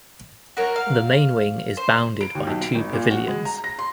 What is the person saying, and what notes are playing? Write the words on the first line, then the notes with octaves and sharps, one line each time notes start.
The main wing is bounded by two pavilions.
F#4 A#4 C#5
F5
C5
D7
D#2
B1
D7
G#1
A#2
F#4
G#3
A#5
A#6
C6